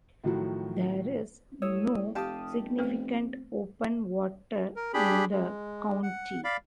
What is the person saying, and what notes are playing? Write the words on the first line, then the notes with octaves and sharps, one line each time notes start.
There is no significant open water in the county.
A2 D#3 F3 F#3 E4 F#4
A2 C#5 D#6 E6
F1 G4 F5 A5 D#6
A3 B3 C4 B4
A#4
D4 G4 G#4 B5
G#3
F#5
D5 F5 B5